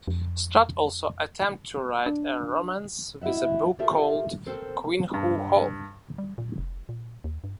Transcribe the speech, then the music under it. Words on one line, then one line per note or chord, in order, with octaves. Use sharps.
Strutt also attempted to write a romance with a book called "Queenhoo Hall".
F2
D4
E4 F#4 D#5 E5 F#5
F4 G4 A4 A#4 E5
C4 A4 A#4 C5
G2
G3
A#2
F1
A#2
D#2
G2